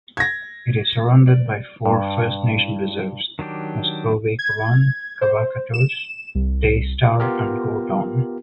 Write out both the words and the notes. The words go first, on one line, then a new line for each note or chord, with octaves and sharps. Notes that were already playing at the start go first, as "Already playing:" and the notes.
It is surrounded by four First Nation reserves: Muskowekwan, Kawacatoose, Daystar and Gordon.
G#6 A#6
D5
G2
D#3 F#3 D4 G4
G#6
C5
E7
C2
B3 F4 G4 A#4